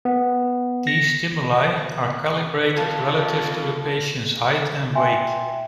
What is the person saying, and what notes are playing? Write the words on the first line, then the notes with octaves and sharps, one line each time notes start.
These stimuli are calibrated relative to the patient's height and weight.
B3
A#6
F4 A4
E5 G5 G#5 C6